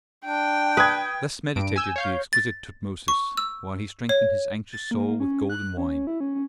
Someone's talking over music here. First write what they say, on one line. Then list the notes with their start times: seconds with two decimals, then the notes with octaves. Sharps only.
Thus meditated the exquisite Tutmosis, while he strengthened his anxious soul with golden wine.
0.25 D4 G5
0.77 B4 D#6 G#6
1.56 G2 D7
1.76 G#5 E6 G6
1.96 C#5 F5 G6
2.33 A6
3.08 C#6
3.37 E6
4.09 C#5
4.72 A6
4.91 A#3
5.07 A#3
5.20 C#4
5.50 F#6
5.77 C#4
6.07 E4
6.20 C#4
6.35 C#4